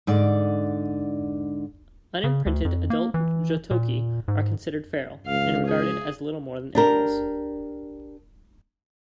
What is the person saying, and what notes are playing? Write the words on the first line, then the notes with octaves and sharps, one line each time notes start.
Unimprinted adult Jotoki are considered feral, and regarded as little more than animals.
G#2 D3 D5
C#3
D2
F2
A#3
E3
A#2
G#2
C#2 F5
G#4
D4 G4 A#4